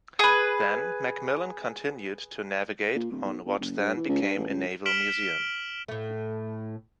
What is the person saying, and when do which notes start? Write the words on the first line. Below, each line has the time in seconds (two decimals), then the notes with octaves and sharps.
Then MacMillan continued to navigate on what then became a naval museum.
0.19 G#4 B4
2.96 A#2
3.11 D1
3.24 B1
3.45 G1
3.59 F#1
3.78 G2
3.96 E3
4.08 C#2
4.22 G2
4.37 A1
4.49 C#2
4.86 F6 B6 D7 E7 F#7 G7
5.88 A2 A3